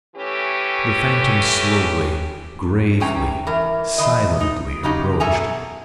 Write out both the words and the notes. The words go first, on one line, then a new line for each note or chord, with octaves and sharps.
THE Phantom slowly, gravely, silently, approached.
E3 A3 C#4 G4
C3 E3 C#4 G5 A#5
E3 A#4
D#3 E3 D#5
D#4
C#3 F#3 D#4 G4
B2 A4 E5 G#5 A#5